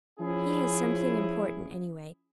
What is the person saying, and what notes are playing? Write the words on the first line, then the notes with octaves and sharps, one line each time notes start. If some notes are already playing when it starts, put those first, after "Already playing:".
He has something important, anyway.
F3 C#4 E4 G#4